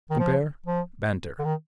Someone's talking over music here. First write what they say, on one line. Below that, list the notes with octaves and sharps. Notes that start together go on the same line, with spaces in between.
Compare BANTER.
D#3
F3
F3
D3
D#3